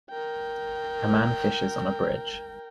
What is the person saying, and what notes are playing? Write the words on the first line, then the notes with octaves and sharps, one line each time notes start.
A man fishes on a bridge.
A#4 G5